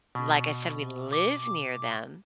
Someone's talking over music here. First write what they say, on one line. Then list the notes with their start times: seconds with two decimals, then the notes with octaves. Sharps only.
like I said, we live near them.
0.15 B2
1.13 D6